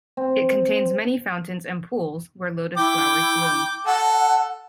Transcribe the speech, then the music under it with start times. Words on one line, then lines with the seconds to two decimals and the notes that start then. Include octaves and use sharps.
It contains many fountains and pools where lotus flowers bloom.
0.17 C4
2.77 E4 G5 D6
3.86 A4 F#5